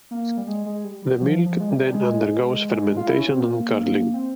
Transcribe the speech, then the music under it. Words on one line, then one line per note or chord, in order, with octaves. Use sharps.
The milk then undergoes fermentation and curdling.
A#3
G3
G#3
G#3
G3
G3
F3
F3
G#3
G3
G3
G#3
F4
E4
C#4
C4
A#3
C4